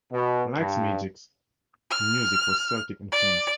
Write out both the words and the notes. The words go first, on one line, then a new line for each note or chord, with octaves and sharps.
Light Magic's music was Celtic-influenced.
B2
G2
F6
D5